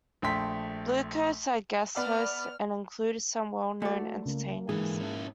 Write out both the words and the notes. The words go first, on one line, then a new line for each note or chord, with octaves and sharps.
Bluecoats are guest hosts and include some well-known entertainers.
A#1 A3 G5 C6 B6
B3 D5 F6
A3 F#4 D5
C#2 A#3
G#2 D3 E3 G#4
C#4 E4